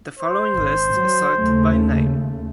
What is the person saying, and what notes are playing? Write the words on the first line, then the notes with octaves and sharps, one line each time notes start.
The following list is sorted by name.
C5
G#1
F#3
D#2 C#3 A3